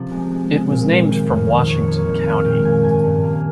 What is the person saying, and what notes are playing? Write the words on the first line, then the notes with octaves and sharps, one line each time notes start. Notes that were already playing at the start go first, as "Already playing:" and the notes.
It was named from Washington County.
Already playing: C3 F3
G#3
G#3
G#3
A#2
A#2
D#3
F2
D#3
F2 C#5
A#3
C#5
D#3
G#3 F5
A#2 G5
A#2 G#5
G2 G#5
G2
A#3